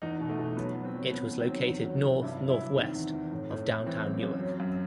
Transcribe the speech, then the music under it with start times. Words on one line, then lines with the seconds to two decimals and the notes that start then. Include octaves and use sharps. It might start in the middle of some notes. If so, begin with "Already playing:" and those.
It was located north-northwest of downtown Newark.
0.02 E2 D#4
0.20 B2
0.29 A3
0.39 B2
0.56 F#3 B3
0.75 F#3
0.85 C4
0.94 F#3
1.12 F#3 B3
1.31 D#3
1.39 C4
1.48 F#3
1.67 E2
1.85 F#3
2.03 C3
2.22 G2 E4
2.40 F#3
2.50 E4
2.59 G2
2.77 D#3 C4
2.95 E2
3.13 E2
3.31 A2
3.50 A2
3.68 A2
3.86 E3 C4
4.05 F#2
4.23 F#2
4.41 F#3
4.60 F#2